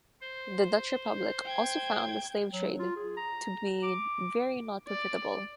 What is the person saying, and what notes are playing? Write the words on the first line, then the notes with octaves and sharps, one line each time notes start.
The Dutch Republic also found the slave trade to be very not profitable.
C5
G5 G#6
F#3
F4
G#4
A#5
D6
D5